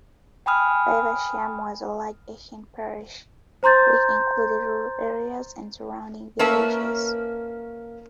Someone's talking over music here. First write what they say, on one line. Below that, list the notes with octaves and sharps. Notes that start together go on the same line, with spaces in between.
Faversham was a large ancient parish, which included rural areas and surrounding villages.
G5 G#5 B5 D#6 F6
C5 A#5 C6 G6 A6
A#3 C#4 A#4 B4 E5 A5